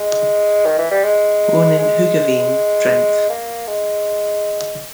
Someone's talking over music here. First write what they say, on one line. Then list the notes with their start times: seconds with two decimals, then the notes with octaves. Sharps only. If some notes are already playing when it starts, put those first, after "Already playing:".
Born in Hoogeveen, Drenthe.
Already playing: G#3
0.66 D#3
0.78 E3
0.91 G3
1.04 G#3
1.79 G#3
3.30 A#3
3.68 G#3